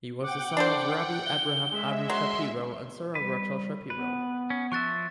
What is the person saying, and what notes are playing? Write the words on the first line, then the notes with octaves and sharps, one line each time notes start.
He was the son of Rabbi Avraham Abba Shapiro and Sora Rochel Shapiro.
F#5 G5 D6
D4 A4 C5
G7
G#3 E5
F#3 C6
G3 B4
B3 B4
C#4
F3 E5 C#6 F#6 A6